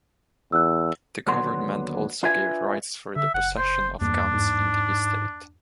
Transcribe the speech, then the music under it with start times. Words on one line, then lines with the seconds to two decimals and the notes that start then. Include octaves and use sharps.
The Government also gave rights for the possession of guns in the estate.
0.52 E2 E6 F#6
1.28 D#2 D3 F#3 B3 F#5 C6
2.23 D4 F4 B4 E5 G#5
3.16 D3 E5
3.34 F#1 F#5
3.57 C5
4.01 E2 G2 A#3 D4
4.33 G#2